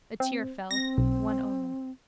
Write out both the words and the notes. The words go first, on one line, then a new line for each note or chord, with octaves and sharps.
A tear fell: one only.
C4
C4 A#6
B1